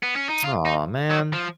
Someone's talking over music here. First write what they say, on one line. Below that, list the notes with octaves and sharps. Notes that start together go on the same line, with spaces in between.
Aw, man.
B3
C#4
D#4
F4
D#4
F#3
F3